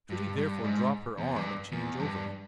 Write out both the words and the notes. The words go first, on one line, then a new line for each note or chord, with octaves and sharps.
Should he therefore drop her arm and change over?
G2
G2
G#2
E2
G2
E2
G2